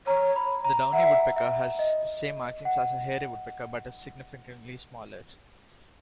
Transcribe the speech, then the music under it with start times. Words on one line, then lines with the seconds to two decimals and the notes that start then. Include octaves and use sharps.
The downy woodpecker has same markings as the hairy woodpecker but is significantly smaller.
0.07 C#5 A#5
0.36 B5
0.64 A#5
0.93 E5 F#5
1.36 E5
1.79 D#5
2.65 F#5